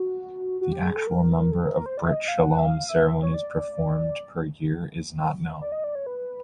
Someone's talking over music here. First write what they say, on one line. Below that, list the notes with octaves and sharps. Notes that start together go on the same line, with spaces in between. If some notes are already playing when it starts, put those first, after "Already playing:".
The actual number of brit shalom ceremonies performed per year is not known.
Already playing: F#4
F#4
G4
G#4
A4
A#4
A4
A#4
A#4
C5
D5
E5
D#5
F5
F#5
E5
F5
E5
C#5
D5
D5
D#5
D5
C#5
B4